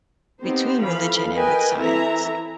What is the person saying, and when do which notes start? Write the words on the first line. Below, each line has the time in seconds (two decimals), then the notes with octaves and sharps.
between religion and with science.
0.41 B3 C4 D#4 G4 C5
0.84 E3 F3 A4 F5 B5
1.34 A#4 B4 D#5 G5 G#5
1.80 E3 C4 E4 A4 E5 A#5